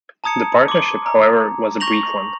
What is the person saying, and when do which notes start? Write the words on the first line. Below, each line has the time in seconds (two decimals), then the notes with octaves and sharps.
The partnership, however, was a brief one.
0.24 A5 A#5 D#6 G#6 C#7
0.68 C6 D6
1.06 A#5
1.80 C#6 G6 A#6 F7 F#7